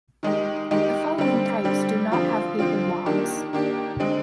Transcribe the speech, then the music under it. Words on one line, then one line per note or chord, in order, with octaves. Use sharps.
The following types do not have paper logs.
D#3 G#3 D#4 G4
D#3 G#3 D#4 G4
D3 G3 C4
D3 G3 C4
D3 F3 C4 F4
D3 F3 C4 F4
D#3 A#3 D4 G4
D#3 A#3 D4 G4
D3 G#3 C4